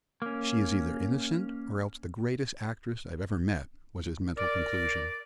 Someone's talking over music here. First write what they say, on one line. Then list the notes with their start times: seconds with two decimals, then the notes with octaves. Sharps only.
"She is either innocent, or else the greatest actress I've ever met," was his mental conclusion.
0.22 A#3 C#4
4.37 A#4 D5